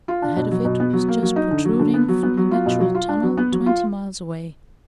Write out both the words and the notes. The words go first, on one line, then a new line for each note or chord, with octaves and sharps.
The head of it was just protruding from the Natural Tunnel twenty miles away.
F4
D4
B2
F#3
B2
B3
F#3
A#3
F#3
D#4
D3
F#3
D3
B3
F#3
B3
F#3
F4
B2
F#3
F4
D4
F#3
B3
F#3
F4